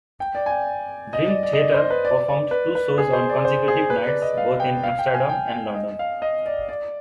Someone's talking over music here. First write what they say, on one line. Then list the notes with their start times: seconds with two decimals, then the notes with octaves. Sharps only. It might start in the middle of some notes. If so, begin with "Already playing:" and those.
Dream Theater performed two shows on consecutive nights both in Amsterdam and London.
0.20 G5
0.35 D5
0.46 G#5
0.50 G5
1.13 D#5
1.28 D5
1.43 D5
1.53 D#5
1.59 D5
1.74 C5
1.90 B4
2.05 D5
2.28 D5
2.51 B4
2.75 B4
2.98 G#4
3.13 C5
3.29 D5
3.45 C5
3.68 G#4
3.90 B4
4.06 D5
4.22 D#5
4.38 F5
4.60 G5
4.84 F5
4.99 G5
5.14 G#5
5.29 G5
5.75 D#5
5.99 F5
6.22 D#5
6.46 D5
6.69 D5